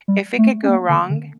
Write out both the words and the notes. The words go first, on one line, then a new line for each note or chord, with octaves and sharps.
if it could go wrong,
G3
A3
C#4
A#3
D3
D3